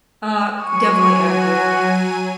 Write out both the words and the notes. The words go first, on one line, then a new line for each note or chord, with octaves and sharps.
Uh, definitely active.
F#3 G#5 C#6 D#7
F#4